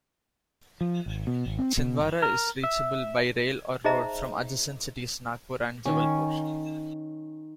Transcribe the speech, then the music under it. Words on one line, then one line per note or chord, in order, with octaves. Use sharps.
Chhindwara is reachable by rail or road from adjacent cities Nagpur and Jabalpur.
F3
G#1
B2
G#1
C4
B2
G1
A#4
E5
D#4 G#4 C5 D#5 E5 A#5
D#3 C#4